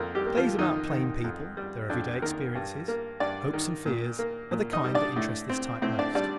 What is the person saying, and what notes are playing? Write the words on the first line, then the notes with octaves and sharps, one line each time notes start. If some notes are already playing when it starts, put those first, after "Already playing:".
Plays about plain people, their everyday experiences, hopes and fears are the kind that interest this type most.
Already playing: F2 A#3 A#4
G3 G4
A#3
F3 F4
F2 D#3 D#4
D#3
F2
G3
F2 D4
D#3 A#3 A#4
G2
A#3
G2 D4 D5
D#3
A#2
A#3
A#2
D#4 D#5
G3
D4 D5
A2
C4
A2 C4 C5
D4 D5
G3 D4 D5